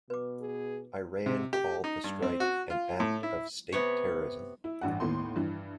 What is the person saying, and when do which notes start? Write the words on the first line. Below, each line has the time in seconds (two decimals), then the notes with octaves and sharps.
Iran called the strike an act of "state terrorism".
0.10 B2 B4 D6
0.41 G#4
1.26 C3
1.53 G4
1.84 D#4
2.04 G2
2.22 C4
2.40 F#4
2.70 F4
3.00 A2
3.23 E4
3.72 C3 B3 C#5
4.64 E4
4.81 A1 G2 F#5
5.00 D#2 A2 B3 C6
5.36 G2 E3